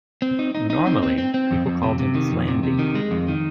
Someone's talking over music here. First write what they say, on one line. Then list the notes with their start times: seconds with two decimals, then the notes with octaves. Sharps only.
Normally people called him Flandy.
0.22 C4
0.39 D#4
0.55 D#4
0.70 D#4
0.87 C4
1.03 C4
1.18 C4
1.34 C4
1.51 F2
1.66 F2
1.83 C3
1.99 C3
2.15 D#3
2.31 F2
2.48 C3
2.63 C3
2.79 D#3
2.95 G#3
3.11 F2
3.28 D#3